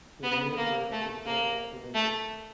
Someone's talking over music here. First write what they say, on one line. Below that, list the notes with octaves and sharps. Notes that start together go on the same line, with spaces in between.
The rear brakes were cable-operated.
B3
A#3
A3
A#3
A3